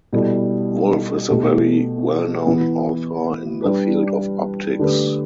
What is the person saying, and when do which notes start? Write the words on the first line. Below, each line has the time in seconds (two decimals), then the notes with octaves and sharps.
Wolf is a very well known author in the field of optics.
0.13 B2 G3 E4 A4
1.30 B2 A3 G4
2.46 E3 B3 E4
3.62 G3 D4 B4
4.79 D3 A3 G4 B4